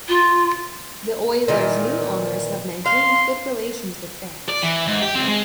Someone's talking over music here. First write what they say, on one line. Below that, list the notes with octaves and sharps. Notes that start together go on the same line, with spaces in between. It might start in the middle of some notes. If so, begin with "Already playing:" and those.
The Oilers' new owners have maintained good relations with fans.
F4
A#2 D#3 E3
F5 C6
D5
E3
G#2
G4
C#2 C4
G#3